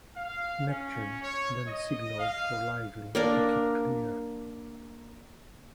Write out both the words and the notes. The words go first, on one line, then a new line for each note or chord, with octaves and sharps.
"Neptune" then signalled for "Lively" to keep clear.
F5
C#4
C#5
D#5
F5
A#3 D4 A#4